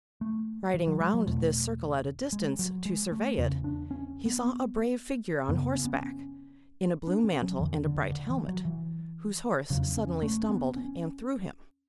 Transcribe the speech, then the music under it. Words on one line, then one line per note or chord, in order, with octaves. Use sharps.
Riding round this circle at a distance, to survey it, he saw a brave figure on horseback, in a blue mantle and a bright helmet, whose horse suddenly stumbled and threw him.
A3
E3
F#3
G#3
F#3
E2 B2 A3
G#3
F#3
G#3
A3
E2 C#3 C#4
D4
C#4
B3
F#2 C#3 B3
C#4
B3
C#4
D4
C#4
F#3
E2 D3 E3
D3
D3
E3
F#3
E3
E2 C#3 F#3
C#4
A3
C#4
B3
C#4